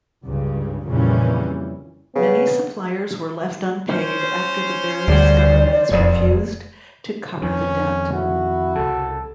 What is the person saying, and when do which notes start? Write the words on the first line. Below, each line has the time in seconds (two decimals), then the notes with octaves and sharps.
Many suppliers were left unpaid after the various governments refused to cover the debt.
0.24 C#2 G2 C#3
0.88 F2 A#2 C#3 E3 G3 C#4
2.15 C#3 B3
3.90 C#4 C5
5.08 D2 D3 G3 D5
5.91 E1 F2
7.42 F2 D#3 C#4
8.14 E4 F#4
8.75 C2 C#3 A4